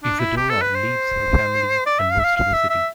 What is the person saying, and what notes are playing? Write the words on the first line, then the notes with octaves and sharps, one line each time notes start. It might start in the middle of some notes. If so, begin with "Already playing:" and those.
Isadora leaves her family and moves to the city.
D4
E4
G4
A4
B4
C5
D5
E5
F5
E5
F5
F5
E5
E5